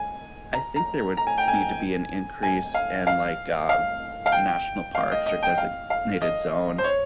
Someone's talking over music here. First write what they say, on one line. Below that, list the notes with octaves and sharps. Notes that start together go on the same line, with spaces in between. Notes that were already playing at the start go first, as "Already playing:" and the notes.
I think there would need to be an increase in like, um, national parks or designated zones.
Already playing: G#5
A#5
A#5
A#5
G#5
G5
G#5
G#5
F5
F5
F5
F5
G5
F5
D#5
D#5
G5
F5
F5
D#5
C5
C#5